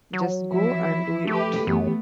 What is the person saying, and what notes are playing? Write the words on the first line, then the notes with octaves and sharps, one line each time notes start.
Just go and do it.
F#3
E3 F3 E4 E5
A3 G4 B4
F#2 E3 A3 B3 G4